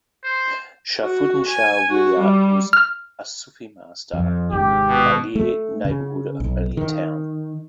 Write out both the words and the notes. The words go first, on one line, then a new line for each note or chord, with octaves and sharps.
Sharfuddin Shah Wilayat was a Sufi master in Malir neighbourhood of Malir Town.
C5
F#4
G#5
F#4
G3
F6
F2
G#1 G#2 C3 G4
B2
A3
C#3
B1
D#3